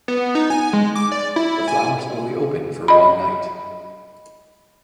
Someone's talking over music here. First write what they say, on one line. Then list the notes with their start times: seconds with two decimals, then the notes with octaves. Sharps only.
The flowers only open for one night.
0.08 B3
0.35 D#4
0.50 G#5
0.73 G#3
0.95 D6
1.12 D5
1.36 E4
1.68 G#5
2.88 D#5 B5